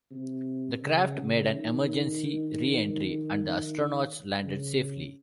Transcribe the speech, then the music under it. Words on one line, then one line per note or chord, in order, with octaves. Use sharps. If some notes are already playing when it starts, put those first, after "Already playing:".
The craft made an emergency reentry and the astronauts landed safely.
C3
C#3
C#3
D#3
C#3